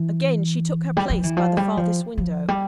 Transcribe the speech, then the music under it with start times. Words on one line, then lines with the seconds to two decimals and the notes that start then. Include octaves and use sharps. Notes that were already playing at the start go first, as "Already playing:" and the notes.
Again she took her place by the farthest window.
Already playing: E3
0.97 G3
1.10 F3
1.23 E3
1.37 F3
1.57 G3
1.77 F3
2.18 F3
2.48 G3